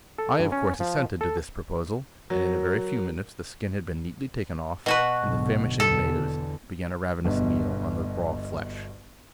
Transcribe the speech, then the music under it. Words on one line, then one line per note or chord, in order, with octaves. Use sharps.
I of course assented to this proposal, and in a very few minutes the skin had been neatly taken off, and the famishing natives began a ravenous meal on the raw flesh.
A4
G2
C#4
F3
A4
F#3 F#4 A#4
B2 F#4 B4
B1 G#2 D3
E2 B2 D3 A4
G1 B2